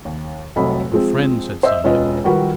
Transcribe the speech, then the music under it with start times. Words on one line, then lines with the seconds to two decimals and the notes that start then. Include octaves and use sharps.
"Your friend," said somebody.
0.05 D#2
0.56 F1 C2 F#3 A4 D#5 B5
0.92 F3 G#3 C4
1.63 C5 D#5 E5 E6
1.84 E1 C#4 F4 B4 D#5
2.24 D#3 F3 G3 F#4 A#4 B4